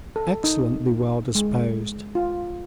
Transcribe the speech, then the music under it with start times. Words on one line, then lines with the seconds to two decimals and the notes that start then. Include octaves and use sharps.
"Excellently well disposed."
0.16 A4
0.44 D#4
1.35 G#3
2.15 F4